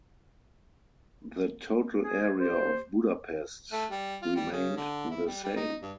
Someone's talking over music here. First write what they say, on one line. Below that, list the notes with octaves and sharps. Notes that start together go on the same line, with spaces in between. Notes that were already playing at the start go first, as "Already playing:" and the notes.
The total area of Budapest remained the same.
G#4
G4 C5
A3
G3
F4
G3
C#3
D3
E4
G3
G3
D#4
G2